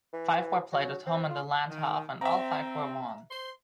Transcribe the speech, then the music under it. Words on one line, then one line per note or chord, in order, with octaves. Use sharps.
Five were played at home in the Landhof and all five were won.
E3
F#3
C4
F4
D#3
C4 E5 A#5
C5 C6